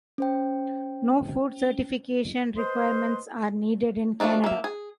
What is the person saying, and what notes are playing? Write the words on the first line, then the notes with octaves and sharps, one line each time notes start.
No food certification requirements are needed in Canada.
C#4 C5 G5
B4 C5 D#5 C6
F3 F#3 A3 D4 D#4
A#3 E5
G#4